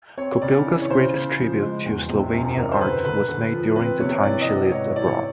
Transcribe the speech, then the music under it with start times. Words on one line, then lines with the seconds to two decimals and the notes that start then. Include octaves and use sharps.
Kobilca's greatest tribute to Slovenian art was made during the time she lived abroad.
0.18 C4 C#5
0.42 C#3 D5
0.66 E3
0.82 C#5
0.90 C#3 C5
1.13 C#3
1.38 F3
1.61 G#3
1.85 E2
2.09 C3
2.33 F#2
2.56 F#2 A#4
2.72 C5
2.80 D3 B4
3.04 D3 B4
3.28 D3
3.52 F3
3.76 C4 B4
4.00 C3 C#5
4.16 C#5
4.23 E3 D5
4.41 D#5
4.47 B3 D5
4.71 G#2 C#5
4.95 E3 D5
5.07 C#5